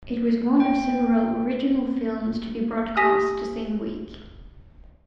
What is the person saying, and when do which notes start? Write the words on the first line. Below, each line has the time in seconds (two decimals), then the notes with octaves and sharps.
It was one of several original films to be broadcast the same week.
0.60 G5
2.97 G4 G#5 D#6 A#6 B6